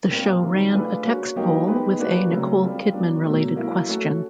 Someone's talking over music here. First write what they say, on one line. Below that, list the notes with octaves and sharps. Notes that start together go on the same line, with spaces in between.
The show ran a text poll with a Nicole Kidman related question.
A#2 G3 C4 F4 A#4
C3 D#3 F#3
A3 D4 F4 G#4 B4
A#3 C#4 F#4
F#3 A#3 D#4 G4 C5
G#3 B3 D#4 G4 B4
G3 A#3 D4 F#4 B4
C#3 F#3 A3 C4
G3 C4 F4
F#3 B3 D4
B2 F#3 A3
F#3 A#3 C#4 E4
A3 C#4 F#4 A4